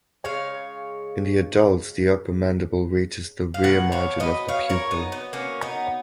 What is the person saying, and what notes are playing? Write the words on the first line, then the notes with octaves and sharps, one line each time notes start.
In the adults the upper mandible reaches the rear margin of the pupil.
C#3 G#3 C#5 F5
F5
B2 F#3 F#5
C#5 F5
B4 D#5
C#5 F5
A#4 C#5
B3 D#4
B3
A#3 C#4
B3 D#4